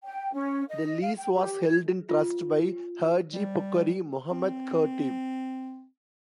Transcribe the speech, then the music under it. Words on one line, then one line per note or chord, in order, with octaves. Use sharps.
The lease was held in trust by Hadjee Puckery Mohamed Khatib.
G5
C#4
D#5
F5
G5
G4
G#6
F4
G3
C4